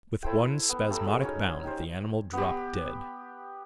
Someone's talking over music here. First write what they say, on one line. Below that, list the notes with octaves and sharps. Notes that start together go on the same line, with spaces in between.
With one spasmodic bound the animal dropped dead.
E4 A4 C5 G5
B3
G3 A3 A#5 E6
F#3 G#3
C#4 D#4 A#4
D#4 G4 A#4 C5
B3 G4